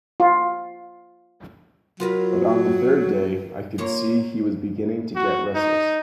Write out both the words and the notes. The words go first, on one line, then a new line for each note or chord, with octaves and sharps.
But on the third day I could see he was beginning to get restless.
F4
F#3 F4 A#4 B4
A#3 F4 C#5
F#4
D#4